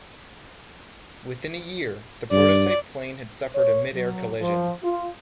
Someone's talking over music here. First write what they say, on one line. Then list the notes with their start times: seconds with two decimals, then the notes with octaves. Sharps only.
Within a year the prototype plane had suffered a mid-air collision.
2.32 G2 D5
3.55 C#5
3.94 F#3
4.41 F3
4.83 F4